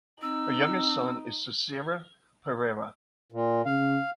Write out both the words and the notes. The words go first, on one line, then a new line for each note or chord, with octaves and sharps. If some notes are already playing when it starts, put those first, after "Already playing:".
Her youngest son is Sisira Perera.
C4 D#4 E6
A#2
C#3 F5